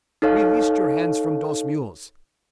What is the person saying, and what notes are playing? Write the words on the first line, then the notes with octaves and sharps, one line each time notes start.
Release your hands from dose mules.
D#4 A4 C#5 F5